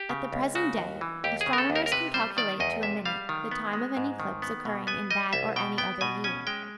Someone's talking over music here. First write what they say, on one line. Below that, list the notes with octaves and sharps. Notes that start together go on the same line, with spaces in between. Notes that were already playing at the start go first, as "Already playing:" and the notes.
At the present day astronomers can calculate to a minute the time of an eclipse occurring in that or any other year.
Already playing: G4
C#3
C#2
C#3 F#4
D#2
E3
D#2 G4
G#4
C#3
A#4
A4
D#2
A#4
A#4
C3 B4
G3 C5
D#3 D5
E2 D#5
C3 E5
G3 F5
D#3
B3
G#3
G#2
D#3
B3
B2
B3 G#5
G3 D#5
C2 E5
B2 G5
B3 G5
B2 G#5
C#4 G#5
G#3 G5